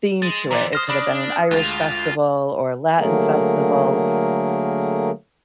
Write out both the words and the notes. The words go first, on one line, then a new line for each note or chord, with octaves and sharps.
theme to it. It could've been an Irish festival or a Latin festival,
G#3 A6
E3 B3 C5 D5 A#5
C5 D#6 F6 A#6
D4 D5 B5
D2 G#3 F4
D3 F#3 A3 A#3 G#4 A#4